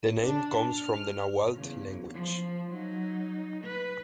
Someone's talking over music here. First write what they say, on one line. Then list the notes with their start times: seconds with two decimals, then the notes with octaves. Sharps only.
The name comes from the Nahuatl language.
0.23 D4
0.73 F6
1.54 E2 C#3
2.13 F3
2.71 F#3 D#4
3.64 B4